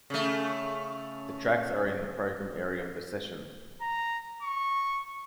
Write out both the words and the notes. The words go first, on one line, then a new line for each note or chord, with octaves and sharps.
The tracks are in the program area of the session.
C#3 A3
A#5
C#6